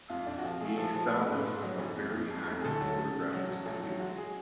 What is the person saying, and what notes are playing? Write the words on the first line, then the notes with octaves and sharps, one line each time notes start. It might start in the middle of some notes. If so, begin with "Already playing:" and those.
He established a very active photographic studio.
F2 F4
F2 D4
F#4
F3 F4
A3 G#4
F3 A4
F3 A4
A3 B4
G#2
G#2
F#3
A1
F2
F2
F2
F1
G#4
D2 A4
F#3
C#3
C#3
F#3
F#3
A1
F#3
G#3 F#4
G#4